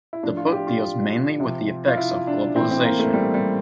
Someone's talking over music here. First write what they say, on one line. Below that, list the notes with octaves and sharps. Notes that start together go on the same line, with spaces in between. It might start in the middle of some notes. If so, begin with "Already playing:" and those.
The book deals mainly with the effects of globalization.
E4
A2 F3 D4
F4
G4
F4
C3 F3
F4
E4
D4
A2 E3 C4
C4
A#3
A3
G3
G3